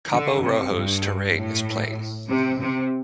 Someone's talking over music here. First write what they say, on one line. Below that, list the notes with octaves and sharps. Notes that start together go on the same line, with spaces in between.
Cabo Rojo's terrain is plain.
D3
C3
G2
A2
C3
C3